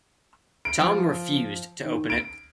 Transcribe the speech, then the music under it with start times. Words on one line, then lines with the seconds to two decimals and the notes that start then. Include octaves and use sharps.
Tom refused to open it.
0.65 D7
0.79 F3
1.83 D#3
2.10 D7